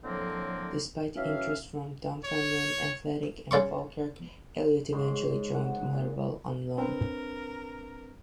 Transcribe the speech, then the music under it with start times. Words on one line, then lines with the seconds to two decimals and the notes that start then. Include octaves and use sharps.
Despite interest from Dunfermline Athletic and Falkirk, Elliot eventually joined Motherwell on loan.
0.03 A2 D3 F3 F#3 A#3 C4
1.16 E3 F#3 C#4 E5 F5
2.25 C#5
3.51 C#3 D5 C6 C#6
4.93 G#2 C#5 C6
5.54 F#5
5.93 A#2
6.78 C4 D4 A#4 B4